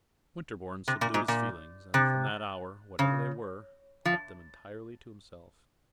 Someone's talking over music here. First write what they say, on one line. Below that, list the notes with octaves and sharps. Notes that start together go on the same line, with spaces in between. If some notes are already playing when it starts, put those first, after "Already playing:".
Winterborne subdued his feelings, and from that hour, whatever they were, kept them entirely to himself.
C3
A#2
G#2
A#2
C3
C#3
F3